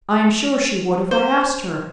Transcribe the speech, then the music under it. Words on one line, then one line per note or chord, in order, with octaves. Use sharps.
"I am sure she would if I asked her."
C5